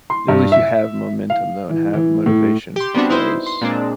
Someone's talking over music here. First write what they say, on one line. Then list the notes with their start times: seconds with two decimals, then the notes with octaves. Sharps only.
at least you have momentum though and have motivation because,
0.10 C6
0.28 G2
0.52 E5
1.30 F5
1.69 E3
1.94 E3
2.26 A2
2.76 G4 C6
2.95 G3 B3 C4 D4 F#4
3.09 D#4 E4 B4 C5
3.46 C6
3.62 A#2 G#3 C4 D4